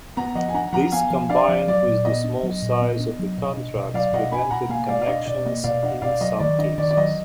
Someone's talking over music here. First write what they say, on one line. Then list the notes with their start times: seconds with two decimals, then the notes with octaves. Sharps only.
This, combined with the small size of the contacts, prevented connections in some cases.
0.17 B3 F#5 A#5
0.35 F3 D#5 F#5
0.49 G#5
0.54 D4 F#5 A#5
0.73 F3 F#5 A#5
0.92 B3 F5 G#5
1.10 F3
1.29 D4 D5 F5
1.48 F3
1.67 F#3 D5
1.87 A#2
2.05 B3 D#5
2.24 D4
2.43 F#3
2.62 A#2
2.82 B3
2.99 D4
3.19 F#3
3.38 B2
3.57 D4
3.75 B2
3.94 F#3 D5 F5
4.13 B2 D#5 F#5
4.32 D4 G#5 B5
4.50 B2 F#5 A#5
4.69 A#3 F5 G#5
4.88 B2 D5 F5
5.02 F5
5.07 D4 D#5
5.26 B2 D5
5.46 A#3 D#5
5.64 B2 D5 F5
5.83 D4 D#5 F#5
6.02 B2 D5 F5
6.21 F#3 D#5
6.39 D#3 D5
6.58 D4 D#5
6.78 D#3 D5
6.91 D5
6.97 F#3 D#5